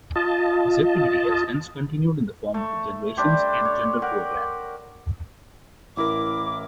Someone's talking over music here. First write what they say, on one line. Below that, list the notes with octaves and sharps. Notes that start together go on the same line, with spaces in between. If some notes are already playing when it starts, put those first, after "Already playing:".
This activity has hence continued in the form of the Generations and Gender Programme.
F4 D#5 A5
A3
G3 D4 G4 C5
C#5 D5
G4 A#4 F#5
A1 E4 A#4 D6